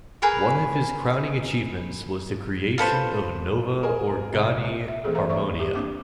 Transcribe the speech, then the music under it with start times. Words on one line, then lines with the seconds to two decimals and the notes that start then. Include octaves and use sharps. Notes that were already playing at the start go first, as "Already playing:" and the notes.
One of his crowning achievements was the creation of the "Nova Organi Harmonia".
0.22 G#4 A#4 B4 C#6
2.78 F4 A4 B4 C5
3.83 G#4 A#4
4.33 C2
4.88 E5
5.04 E3 A3 C4 G#4 A4
5.15 C5 E5 F5 A#5
5.29 C#5 D5 E5 C#6
5.59 G4 D6
5.75 A#3 C4 D4 D6